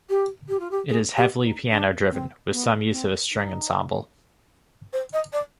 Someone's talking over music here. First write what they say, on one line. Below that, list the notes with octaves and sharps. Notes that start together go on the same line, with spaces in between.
It is heavily piano-driven with some use of a string ensemble.
G4
G4
F4
G4
G#4
G4
D#4
D4
C4
B3
C4
D#4
C5
D#5
D5